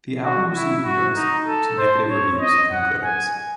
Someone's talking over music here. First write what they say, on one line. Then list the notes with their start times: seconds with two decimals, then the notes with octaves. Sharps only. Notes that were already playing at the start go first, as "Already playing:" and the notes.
The album received mixed to negative reviews from critics.
0.23 F#4
0.54 E4
0.85 F#4
1.16 D#4
1.47 A4
1.78 C5
2.10 C#5
2.40 D#5
2.72 F#5
3.03 G#5